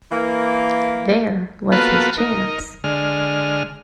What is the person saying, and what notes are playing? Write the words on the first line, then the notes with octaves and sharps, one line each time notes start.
There was his chance.
E3 A#3
A#3 B3 F4 F#4 A4 B4
D#4 A#4
D3 G#3 F6